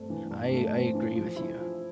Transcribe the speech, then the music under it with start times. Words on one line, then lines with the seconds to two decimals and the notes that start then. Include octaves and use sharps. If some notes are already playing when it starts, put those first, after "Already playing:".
I I I agree with you.
Already playing: G2 A3 C4
0.10 E3
0.31 G2
0.53 A3
0.74 C4
0.95 E3
1.15 F3
1.36 E4
1.59 F3